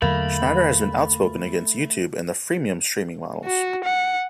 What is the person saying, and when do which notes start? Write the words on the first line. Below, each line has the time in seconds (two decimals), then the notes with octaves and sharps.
Schneider has been outspoken against YouTube and the "freemium" streaming models.
0.02 E2 D3 F#3 A3 A#3 B5
3.45 F#4
3.84 F#5